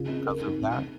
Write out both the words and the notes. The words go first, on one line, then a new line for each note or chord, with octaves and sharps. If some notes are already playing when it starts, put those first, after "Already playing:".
because of that?
Already playing: C#3 F4
C4
A#4
D#4
C4
C4